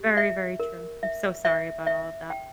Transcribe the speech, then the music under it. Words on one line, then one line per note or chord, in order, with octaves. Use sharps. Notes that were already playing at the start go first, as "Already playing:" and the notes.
Very, very true. I'm so sorry about all of that.
Already playing: G4
E5
A#4
E5
E5
E5
G5